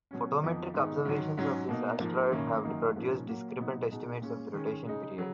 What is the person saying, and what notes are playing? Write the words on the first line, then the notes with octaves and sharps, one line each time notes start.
Photometric observations of this asteroid have produced discrepant estimates of the rotation period.
B2 F#3 C#4
F2 F3 B3 D#4
G#2 D#3 G#3 B3 D#4
G#2 D#3 F#3
G#2 F#3 C#4
B2 A#3 D#4
G#2 F3 A#3
F#2 D#3 A#3 C#4
F#2 D#3 F#3 A#3 D#4
G#2 F3 A#3 C#4
A#2 F#3 A#3
A#2 F#3 B3 D#4
B2 G#3 D#4
A#2 G#3 C#4
D#3 G#3 C#4
C#3 G#3 D#4
C#3 F#3